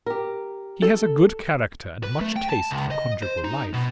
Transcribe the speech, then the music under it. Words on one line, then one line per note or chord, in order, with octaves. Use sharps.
He has a good character and much taste for conjugal life.
G4 A#4
A4
B4
A3
G5
A5
C#2
D#5
C5
D#4
B2